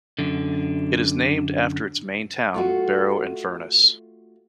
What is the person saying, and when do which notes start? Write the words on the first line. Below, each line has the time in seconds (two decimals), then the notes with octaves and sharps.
It is named after its main town, Barrow-in-Furness.
0.19 F#2 D3
2.54 A3 F4 F#4